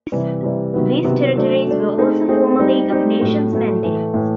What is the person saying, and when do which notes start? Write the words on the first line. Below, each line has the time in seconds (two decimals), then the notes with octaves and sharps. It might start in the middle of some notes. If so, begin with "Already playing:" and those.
These territories were also former League of Nations mandates.
0.12 C3 E3 G3
0.43 C3 E3 G3
0.74 C3 D#3 F#3 B3
1.04 C3 D#3 F#3 B3
1.35 F#3 A3 D4
1.66 F#3 A3 D4
1.97 A3 C4 D#4 G#4
2.29 A3 C4 D#4 G#4
2.59 G3 C4 D#4 G4
2.90 G3 C4 D#4 G4
3.21 A2 F#3 A3
3.52 A2 F#3 A3
3.83 A2 E3 A3
4.14 A2 E3 A3